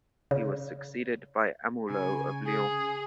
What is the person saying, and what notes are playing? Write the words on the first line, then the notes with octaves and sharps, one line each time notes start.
He was succeeded by Amulo of Lyons.
C#3
C#3 G#5
G#4